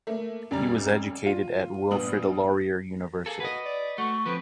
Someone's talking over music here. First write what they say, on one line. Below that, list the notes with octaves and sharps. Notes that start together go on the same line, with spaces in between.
He was educated at Wilfrid Laurier University.
A3 A#3
F1 C#3 G3 A#5 A6
F4
A#1 G2 B3 D#6 F#7
A#3 G#4 A4
F#4 B4 D#5
D5
A3 F#4 C#6
F3 C4 B4